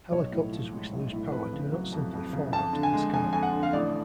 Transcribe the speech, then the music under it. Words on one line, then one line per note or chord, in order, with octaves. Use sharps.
Helicopters which lose power do not simply fall out of the sky.
B1 C#5
A2
F3
G#3
B1
A2
F2 B4
C#3
F#3
F2
F2
C#3
F2 A5
D3
G#5
G#3
F2 G#5
F2 G#5
F#5
D3
F5
A1 D5